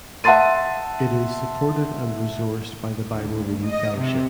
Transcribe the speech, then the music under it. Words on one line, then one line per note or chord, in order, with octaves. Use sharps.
It is supported and resourced by the Bible Reading Fellowship.
E5 F#5 A5 C6 A6 D#7
D2
D#5
C3